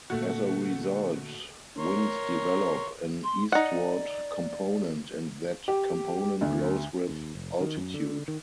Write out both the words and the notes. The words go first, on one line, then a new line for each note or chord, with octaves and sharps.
As a result, winds develop an eastward component and that component grows with altitude.
A#2 D3 A3 F#4
A#4 C#5 C6
C6
D#4 D5 F#5
G4
D2
D#2
F1
D#3
F#2
D3
D#3